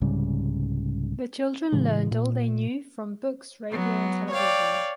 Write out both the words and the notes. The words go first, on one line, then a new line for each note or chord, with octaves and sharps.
The children learned all they knew from books, radio, and television.
C2 G#2 C#3 G3
A2 C#3 E3 G#3
A#2
F#3 B3
C#5 D5 F5 G5